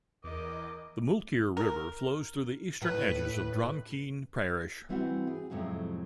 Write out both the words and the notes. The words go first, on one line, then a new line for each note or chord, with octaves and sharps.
The Mulkear River flows through the eastern edges of Dromkeen parish.
E2 A#4 D#5 D6
A#4
A2 B4
E3 G3 C4 E4 F#4 F#5
G#4
F2 A2 C3 F#3 G#3 F4